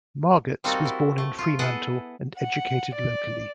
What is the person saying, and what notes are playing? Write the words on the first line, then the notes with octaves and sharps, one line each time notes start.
Margetts was born in Fremantle and educated locally.
G3 A#3 C4 D#4 F#4 A4
E4
A3
F4
B3 E4 G#4 A4 B4 F#5
F#5
D5